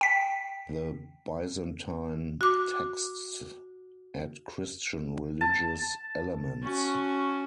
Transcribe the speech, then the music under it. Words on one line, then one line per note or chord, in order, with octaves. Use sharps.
The Byzantine texts add Christian religious elements.
G5 B6
F#4 D6
A5
C#4 F#4